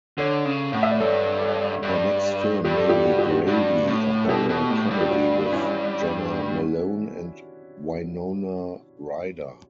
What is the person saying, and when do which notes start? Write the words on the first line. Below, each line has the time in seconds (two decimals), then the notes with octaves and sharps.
Her next film may be "Gravy", a horror-comedy with Jena Malone and Winona Ryder.
0.18 D3 A4 C#5
0.45 C#3
0.72 A2 F#5
0.83 E5
0.91 D5
1.00 G2 A4 C#5
1.41 A4 C#5
1.82 G2
2.64 G2 G4
2.76 A4
2.89 E4 G4
3.05 F#4
3.18 G4
3.30 D4 F#4
3.47 G2 D4 F#4
3.88 A2
4.24 A4
4.29 B2 E4 G4
4.49 B2
4.70 A2
4.90 G2
5.01 G4
5.11 D4 F#4
5.52 C#4 E4